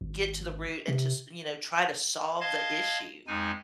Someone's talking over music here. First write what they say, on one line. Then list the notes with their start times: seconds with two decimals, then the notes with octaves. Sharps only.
get to the root and to s you know, try to solve the issue.
0.01 G#1
0.88 C3
2.41 D#5 F5 A5 C6 G#6
3.27 F2 G#3 D#4 G#5